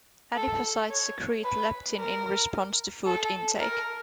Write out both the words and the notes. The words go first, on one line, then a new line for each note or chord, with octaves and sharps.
Adipocytes secrete leptin in response to food intake.
A4
C#5
B4
A#4
A4
A#4